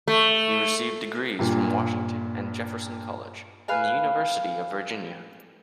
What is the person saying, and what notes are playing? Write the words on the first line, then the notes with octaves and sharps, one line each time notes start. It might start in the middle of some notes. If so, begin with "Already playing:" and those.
He received degrees from Washington and Jefferson College and the University of Virginia.
A3
G2 A#2
B4 F5 G#5